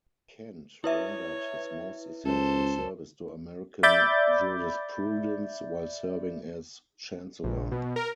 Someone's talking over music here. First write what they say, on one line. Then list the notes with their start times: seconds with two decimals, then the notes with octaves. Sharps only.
Kent rendered his most essential service to American jurisprudence while serving as chancellor.
0.84 E4 B4 C#5 E5
2.25 C#2 A4 C5
3.83 D5 E5 B5 D6 G6 A6
7.43 A#1
7.72 B2
7.96 A#4